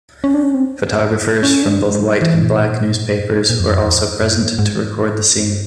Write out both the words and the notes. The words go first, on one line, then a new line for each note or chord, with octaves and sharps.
Photographers from both white and Black newspapers were also present to record the scene.
C#4
D4
C#4
C4
C#4
D4
G#3
G3
E3
A#2
A#2
F2
F#2
E2
F2
F#2
G2
A2
G#2
G2